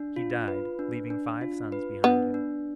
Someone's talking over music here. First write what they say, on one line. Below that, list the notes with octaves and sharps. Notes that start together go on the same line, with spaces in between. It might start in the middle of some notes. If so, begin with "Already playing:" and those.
He died, leaving five sons behind him.
Already playing: D4
F4
B4
D4
D4
F4
B4
B3 D4
D4